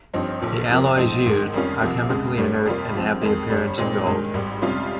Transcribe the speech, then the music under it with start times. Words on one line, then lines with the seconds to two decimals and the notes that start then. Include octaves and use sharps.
The alloys used are chemically inert and have the appearance of gold.
0.13 G1 G2 F3 C4 D#4
0.42 A#1 A#2 F3
0.69 F2 C3 F3 A#3
0.97 G#2 F3 C4 D#4
1.26 G#1 G#2 D#3
1.54 F2 D#3 G3 C#4 F4
1.81 C2 C3 F3 A#3
2.10 F2 C#3 G#3
2.37 G1 G2 G3 A#3
2.65 F2 C3 G3 A#3 F4
2.94 G#2 F3 C4
3.22 F2 D#3 G#3
3.50 G1 G2 G3
3.78 A#2 G#3 C4 D#4
4.06 G2 D#3 G#3
4.34 G#1 G#2 G3
4.62 F2 C3 G3 C#4 F4